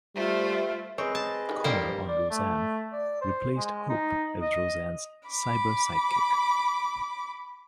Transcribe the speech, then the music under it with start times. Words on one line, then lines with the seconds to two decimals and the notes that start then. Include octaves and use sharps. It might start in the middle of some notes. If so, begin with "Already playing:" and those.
Conner on "Roseanne", replaced Hope as Roseanne's cyber sidekick.
0.16 G3 A3 F4 C5 E5
0.98 C4 G#4 A#4 B4 C#5 D#5
1.15 A5
1.49 D#3 G3
1.64 A#2 D#3 G3 A#3 A4 A#4 C5 G5
1.78 G2
2.08 D5
2.30 A3
2.93 D5
3.21 C5
3.58 G#3
3.90 D#4
4.42 D#5
5.29 B5 D6